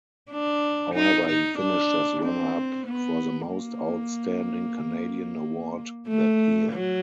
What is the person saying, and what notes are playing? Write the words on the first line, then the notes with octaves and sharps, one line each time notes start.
However, he finished as runner up for the Most Outstanding Canadian award that year.
D4
D#4
D#4
D4
C4
B3
A#3
A3
F#3